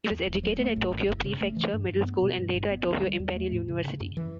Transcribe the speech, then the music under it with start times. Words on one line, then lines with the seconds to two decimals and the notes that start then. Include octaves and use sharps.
He was educated at Tokyo Prefecture Middle School and later at Tokyo Imperial University.
0.11 E2
0.26 E1
0.43 F#3
0.60 A3
0.76 A1
0.93 A1
1.09 F#1
1.24 C#3
1.41 A3
1.57 E3
1.73 G2
1.89 G2
2.05 B3
2.22 B2
2.38 G2
2.55 G1
2.71 B3
2.87 D2
3.04 G3
3.20 E2
3.36 A3
3.52 A2
3.68 C#3
3.84 C#3
4.00 F#2
4.17 E3